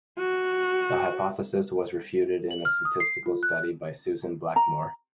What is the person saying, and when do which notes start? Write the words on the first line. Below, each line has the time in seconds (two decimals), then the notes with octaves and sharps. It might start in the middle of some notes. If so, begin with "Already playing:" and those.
The hypothesis was refuted in a statistical study by Susan Blackmore.
0.19 F#4
2.51 F#7
2.65 F6
2.85 D#6
3.00 C7
3.26 F4
3.43 F#6
4.56 A#5